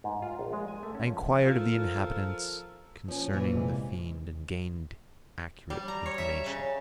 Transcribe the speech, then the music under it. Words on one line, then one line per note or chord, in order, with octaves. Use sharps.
I inquired of the inhabitants concerning the fiend and gained accurate information.
G#2
F4
A#1
G#3
G#5
A3
C#4
F3
F3 F4 A4 A#4
F3 C#4
A#2 E3
C3 G#3
G3
A#5
C#5
E5
C#3